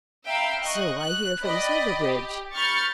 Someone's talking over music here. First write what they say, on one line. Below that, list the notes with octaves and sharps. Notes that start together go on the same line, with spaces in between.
"So I hear from Silverbridge."
E5 F5 G5 A#5 B5 E6
D#5 C#6 F#6
F#6
D5 D#5 G5 B5
G4
B5 C#6 F6 G6 A6 C#7